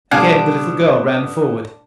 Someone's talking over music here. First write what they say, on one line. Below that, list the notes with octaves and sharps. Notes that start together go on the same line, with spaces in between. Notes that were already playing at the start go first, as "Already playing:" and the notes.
Again the little girl ran forward.
B2 D3 G3 D4 F5 F#5 G#5